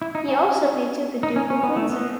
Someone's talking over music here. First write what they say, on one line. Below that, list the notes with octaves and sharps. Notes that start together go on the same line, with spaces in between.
He also painted the Duke of Windsor.
E4
D#4
C#4
D#4
C#4
C#4
B3
A3
B3